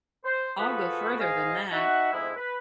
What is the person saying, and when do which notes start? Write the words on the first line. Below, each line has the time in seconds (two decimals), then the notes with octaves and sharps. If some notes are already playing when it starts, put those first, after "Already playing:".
I'll go further than that.
0.24 C5
0.58 F3 F4 F#4 G#4 A4 B4
1.19 G#2 G#4 D#5 F5
1.72 D#4 F#4 E5 F#5
2.13 F2 G#2 G#3 B3 E4
2.35 B4